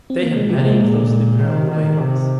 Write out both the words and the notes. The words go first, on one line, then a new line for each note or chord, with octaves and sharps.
They have many closely parallel veins.
C4
A#3
G#3
C3 F3
A#3
G#3
A#2 G#3
G#3
D#3
D#3
C3